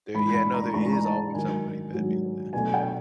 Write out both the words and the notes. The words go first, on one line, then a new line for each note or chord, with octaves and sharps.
There yeah, no, there is always somebody better, yeah.
G#2 E3 G#3 B5
B5
A#5
G#2 E3 G#3 A#5
A#5
A5
G#2 D#3 F#3 G#5
G#2 D#3 F#3
B2 F#3 A3 G#5
G5